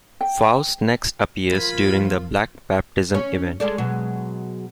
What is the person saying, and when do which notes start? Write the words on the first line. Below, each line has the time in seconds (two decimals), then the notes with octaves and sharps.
Faust next appears during the "Black Baptism" event.
0.21 G5
1.52 F3 F4 A#4 G#5 B5
3.14 C#4
3.60 G#3 A4 D5
3.78 B2 F#3 G#3